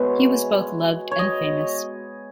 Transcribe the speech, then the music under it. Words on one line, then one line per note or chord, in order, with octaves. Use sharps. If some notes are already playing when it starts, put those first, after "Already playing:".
He was both loved and famous.
Already playing: B2 G#3 B4 C#5 E5
C#5
D#5